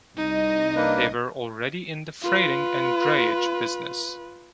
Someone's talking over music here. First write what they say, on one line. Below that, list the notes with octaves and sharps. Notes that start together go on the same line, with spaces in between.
They were already in the freighting and drayage business.
C2 D#4 D#5
A#3 D4 B4
F4 B4